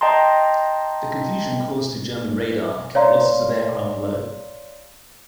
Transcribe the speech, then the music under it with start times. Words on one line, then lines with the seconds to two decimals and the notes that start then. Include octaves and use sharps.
The confusion caused to German radar kept losses of aircraft low.
0.01 D#5 G5 A5 A#5 C6
2.95 C#5 D5 F5 A#5 C6